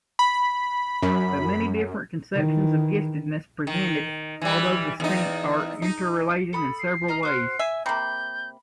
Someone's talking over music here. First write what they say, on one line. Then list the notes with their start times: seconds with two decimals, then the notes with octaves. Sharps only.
The many different conceptions of giftedness presented, although distinct, are interrelated in several ways.
0.19 B5
1.03 F#2
2.33 D#3 E3
3.67 D#3
4.42 E3 G3
5.00 E2 D#4
5.82 D#4
6.53 A4 B5 D#6
6.79 C7
7.08 D#5 A#5 F6
7.23 F#4 C5 F6
7.59 E5 G#5
7.86 C3 A#3 B5 G6